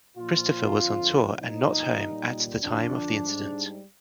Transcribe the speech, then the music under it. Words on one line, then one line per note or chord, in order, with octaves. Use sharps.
Christofer was on tour and not home at the time of the incident.
A#2 F3 F4
F2 D3 F3
A#2 F3 D#4
A#2 G3
F2 D3 F3 D4
G#2 G3